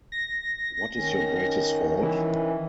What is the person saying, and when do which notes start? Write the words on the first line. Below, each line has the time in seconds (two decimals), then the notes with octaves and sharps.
What is your greatest fault?
0.12 A#6
0.94 D#3 C#4
2.03 E3